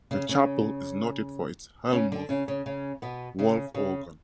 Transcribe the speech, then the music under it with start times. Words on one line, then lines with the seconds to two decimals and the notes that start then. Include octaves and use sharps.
The chapel is noted for its Hellmuth Wolff organ.
0.11 C#3 C#4
0.29 C#3 C#4
1.93 C#3 C#4
2.12 D3 D4
2.29 C#3 C#4
2.48 C#3 C#4
2.66 C#3 C#4
3.02 B2 B3
3.39 C#3 C#4
3.74 C#3 C#4